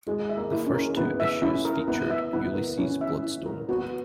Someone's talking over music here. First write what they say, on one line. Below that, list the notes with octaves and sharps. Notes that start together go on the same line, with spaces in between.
The first two issues featured Ulysses Bloodstone.
G#3 E4
E5
A#3
E4
C#4
A#4
B3 E4
E5
C#4 E4
A#4
B3 E4
E5
B3 E4
A#4
C#4 E4
E5
E4
A#4
B3 F#4